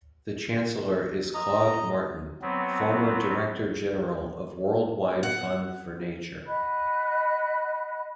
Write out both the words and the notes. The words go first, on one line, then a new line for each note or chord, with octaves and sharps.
The chancellor is Claude Martin, former Director General of World Wide Fund for Nature.
D#5 A#5
F#3 B3 C4
F#5
D#5 F#5 B5 F#6